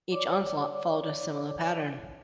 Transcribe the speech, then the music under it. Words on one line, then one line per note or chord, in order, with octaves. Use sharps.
Each onslaught followed a similar pattern.
C#5 D5 D6